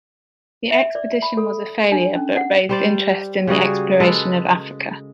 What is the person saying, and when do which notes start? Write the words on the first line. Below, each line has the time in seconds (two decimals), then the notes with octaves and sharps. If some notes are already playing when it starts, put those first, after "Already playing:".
The expedition was a failure but raised interest in the exploration of Africa.
0.71 E5
0.95 D5
1.22 B5
1.37 A4
1.92 D4
2.15 C#4
2.37 F#5
2.69 G3 C5 D5
3.47 C#3 G3 F#4 G#4
4.00 G#3 A4 B4